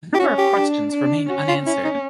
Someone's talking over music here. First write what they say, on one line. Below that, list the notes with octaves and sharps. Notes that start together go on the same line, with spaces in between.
A number of questions remain unanswered.
G4
C#4 F#4
G4
D4
D4
C#4 F#4
F4
C#4 E4
D#4